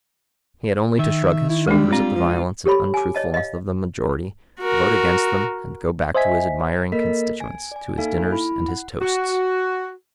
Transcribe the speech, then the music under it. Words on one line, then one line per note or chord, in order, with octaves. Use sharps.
He had only to shrug his shoulders at the violence and untruthfulness of the majority, vote against them, and go back to his admiring constituents, to his dinners and his toasts.
D#3 E5
E4
G3 G#3 D4
C4 F4
F3
G4 A4 C#5 B5
G#5 D6
C#5 D#5 A5
D#5 F5
F#4 A#4
C5 D#5 E5 G#5 B6
A#3 A4 A#4 D#5 B6
G#5
D5 G#5
A#3 D#4 A4 E5 F5 G#5
E4 B5
F#5
F#4